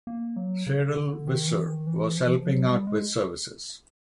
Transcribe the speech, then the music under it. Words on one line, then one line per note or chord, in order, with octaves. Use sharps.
Sarel Visser was helping out with services.
A#3
F#3
C#3
D3
D#3
E3
D#3
E3
F3
E3
F3
F#3
G3
G#3